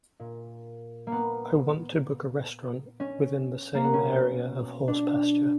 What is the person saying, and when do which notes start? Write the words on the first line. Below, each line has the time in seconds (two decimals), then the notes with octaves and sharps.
I want to book a restaurant within the same area of Horse Pasture.
0.20 A#2
1.07 A#3
1.12 B3
3.00 C#4
3.75 A#3
3.84 B3
3.93 B2 C#4
4.88 D4